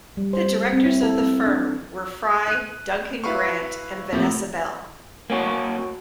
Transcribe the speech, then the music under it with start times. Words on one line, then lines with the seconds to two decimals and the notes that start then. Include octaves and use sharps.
The Directors of the firm were Fry, Duncan Grant and Vanessa Bell.
0.17 G3
0.33 C5
0.73 C4
0.85 E4
1.03 A4
1.21 C4
1.47 D4
2.47 F#6 D#7
3.24 E4 F#4 B4 F5 C#6
4.12 A2 C3 F3 A3 A#3
5.30 A#3 C#4 F#4